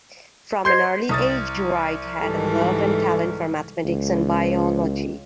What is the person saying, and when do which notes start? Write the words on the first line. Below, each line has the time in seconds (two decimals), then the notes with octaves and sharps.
From an early age Wright had a love and talent for mathematics and biology.
0.65 C5 D#5 C6 G6 G#6 C7
1.09 C2 D#6 A6
2.21 G#2 E3 G3 A4
3.84 C#2